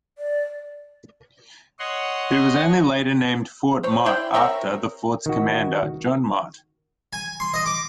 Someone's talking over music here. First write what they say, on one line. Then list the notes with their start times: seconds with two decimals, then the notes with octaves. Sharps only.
It was only later named Fort Mott, after, the fort's commander, John Mott.
0.18 D5
1.79 C#5 D#5 F#5 C6
3.83 C5 C#5
4.06 E4 C5 D5 G5
4.34 C4 A#4 C#5 E5
5.26 D#3 F#4
7.13 G#5
7.40 C6
7.54 D#5
7.66 D6